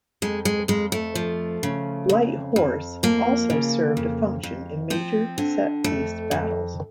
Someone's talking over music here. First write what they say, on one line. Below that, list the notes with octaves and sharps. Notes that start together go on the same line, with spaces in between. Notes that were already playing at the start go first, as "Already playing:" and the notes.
Light horse also served a function in major set-piece battles.
F2 G#3
G#3
F2 G#3
A3
F3
C#3
F2
F2
F3 A#3
C#3
F2
F2
F3 C4
D3
F2 A3
F2